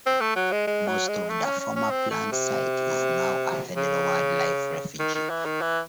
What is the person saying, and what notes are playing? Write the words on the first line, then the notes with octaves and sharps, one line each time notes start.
Most of the former plant site is now a federal wildlife refuge.
C4
A3
F#3
G#3
G#3
F#3
G#3
A3
C#4
C#4
C#4
C4
A3
C3
C#3
D#3
D#3
E3
D#3
E3